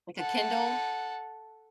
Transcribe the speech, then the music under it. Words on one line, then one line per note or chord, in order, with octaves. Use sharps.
Like a Kindle?
A4 F#5